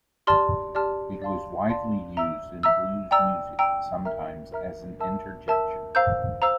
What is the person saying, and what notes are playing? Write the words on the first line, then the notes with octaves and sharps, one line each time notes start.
It was widely used in blues music, sometimes as an interjection.
G4 D5 A5 C6 F6
G4 D5 A5 C6 F6
D5 F5 A5 C6
D5 F5 A5 C6
E5 A#5 E6
E5 A#5 E6
D5 G5 A#5 E6
D5 G5 A#5 E6
A#4 E5 A#5 F6
A#4 E5 A#5 F6
A#4 E5 A5 E6
A#4 E5 A5 E6
C5 F5 A#5 E6 G6
C5 F5 A#5 E6